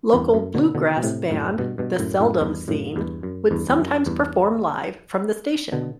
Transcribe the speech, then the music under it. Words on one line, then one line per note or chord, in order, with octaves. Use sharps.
Local bluegrass band The Seldom Scene would sometimes perform live from the station.
E2 G2
F#2
B2 D3
B2 D3
B2
A2 C3
F#2 A2
G2 B2
G2 B2
F#2 A2
F#2 A2
E2 G2
F#2 A2
E2 G2
F#2
E2 G2
E2
F#2
E2 G2
B2 D3